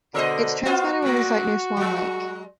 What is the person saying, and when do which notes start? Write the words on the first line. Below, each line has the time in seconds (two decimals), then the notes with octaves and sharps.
Its transmitter was at a site near Swan Lake.
0.14 B2 D3 A#4 C5 D#5
0.65 B3 F4 F#4 C5
1.02 A#2 A3
1.77 F#3 G#3